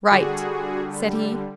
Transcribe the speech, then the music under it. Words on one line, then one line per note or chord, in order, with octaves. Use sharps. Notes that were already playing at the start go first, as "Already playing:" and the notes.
"Write," said he.
D3 G3 F#4 G#4